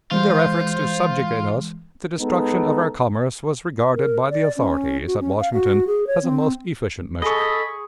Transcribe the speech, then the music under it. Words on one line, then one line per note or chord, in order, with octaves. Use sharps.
In their efforts to subjugate us, the destruction of our commerce was regarded by the authorities at Washington as a most efficient measure.
E3 G#3 F4 C5
G#3 B3 D#4 A4
A#4
D5
C#4
F#4
C#4
F5
F#4
G#4
C#5
C4
G#4 A4 D#5 B5 C#6